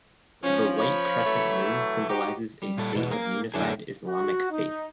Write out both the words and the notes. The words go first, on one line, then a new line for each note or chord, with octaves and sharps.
The white crescent moon symbolizes a state of unified Islamic faith.
F3 C#4
C#5 B5
E3 F#3 A3
D#4 F#4 G4
G3
A#2 A4
E2 G#2 B2
A#3 G#4 A#4
F#2 D3 D4 E4 G#4
F#4
D#4